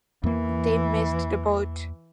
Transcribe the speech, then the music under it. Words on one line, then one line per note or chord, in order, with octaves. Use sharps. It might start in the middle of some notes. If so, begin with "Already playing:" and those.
They missed the boat.
E2 E3 A#3